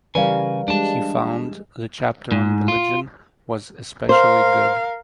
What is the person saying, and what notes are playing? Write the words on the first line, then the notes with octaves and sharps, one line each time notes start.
He found the chapter on religion was "especially good".
C#3 E3 G3 A#4 B4 D5 F5 G#5
G3 G#3 D4 A5
G#2
F4
A#4 C5 F5